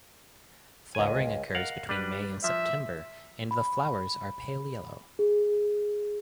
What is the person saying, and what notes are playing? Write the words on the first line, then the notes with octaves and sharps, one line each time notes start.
Flowering occurs between May and September and the flowers are pale yellow.
C#2 G#5
A#4 F5 F#5
G3 D4 B4
F3 E5
B5
G#4